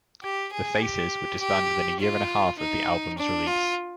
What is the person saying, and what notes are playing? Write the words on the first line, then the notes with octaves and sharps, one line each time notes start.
The Faces would disband within a year and a half of the album's release.
G4
G#4
G4
G4
F4
D#4
D4
F4